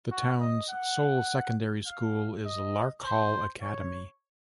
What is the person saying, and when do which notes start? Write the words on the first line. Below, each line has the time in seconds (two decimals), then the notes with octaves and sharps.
The town's sole secondary school is Larkhall Academy.
0.11 F#4
0.40 D#5
0.69 F#5
1.86 F5
2.45 D#5
3.04 C5
3.62 C#5